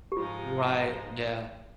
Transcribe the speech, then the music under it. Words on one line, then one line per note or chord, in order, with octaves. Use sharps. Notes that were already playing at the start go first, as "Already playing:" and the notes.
Right, yeah.
G4
G#2 F3 G#3 D#4 F4